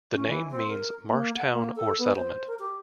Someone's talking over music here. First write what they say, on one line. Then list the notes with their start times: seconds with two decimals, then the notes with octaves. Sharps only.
The name means 'marsh town or settlement'.
0.13 C#4
0.27 E3
0.51 C4
0.68 A#4
1.09 A#3
1.36 F#5
1.53 A#3
1.76 A4
1.99 B3
2.15 C5
2.47 A#4
2.59 G4